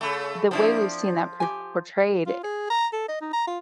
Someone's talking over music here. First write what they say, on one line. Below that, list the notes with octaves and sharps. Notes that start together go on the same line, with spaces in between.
the way we've seen that por portrayed,
C#3 A3
F3 C4 D4 E4
G4 G#5
F4
G#4
A#5
A4
D#5
D#4
A#5
F4